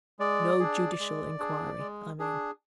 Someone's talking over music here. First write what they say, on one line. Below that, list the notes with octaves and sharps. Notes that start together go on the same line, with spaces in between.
No judicial inquiry, I mean.'
G#3 D5
D4 G#4
G#3
D4 G#4
G#3
D4 G#4